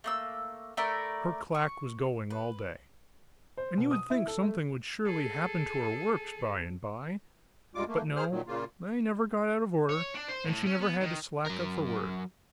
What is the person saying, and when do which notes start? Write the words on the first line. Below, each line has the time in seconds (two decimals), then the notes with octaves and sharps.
Her clack was going all day, and you would think something would surely happen to her works, by and by; but no, they never got out of order; and she never had to slack up for words.
0.04 A3 A#3 E6
0.77 A3 A#4 D5 B5
1.55 C#6
2.30 B4
3.57 C5
3.77 B2
3.91 D#6
4.10 E4
4.28 A4
4.43 A3
5.06 G#4 A4
7.75 D2 G#2 G3 G#3 F4 D6
7.87 A3 A#3
8.04 D2
8.16 G#4 C5 F6
8.30 A#2 D#3 F#3
8.47 A#2 C#3 A#3 F4
9.89 C#5
10.14 D4
10.28 C5
10.45 A2
10.66 C#4
10.80 B3
11.00 D#3
11.46 F#3 A#4